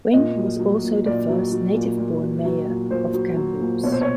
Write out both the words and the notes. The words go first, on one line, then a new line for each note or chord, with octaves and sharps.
Wing was also the first native-born mayor of Kamloops.
A#2 D#5
F#3
F#3
A#2
A#2 D5
F#3
F#3
A#2
A#2
F#3
F#3
A#2
A#2 C5
F#3
F#3
A#2
B2 C#5
C5
C#5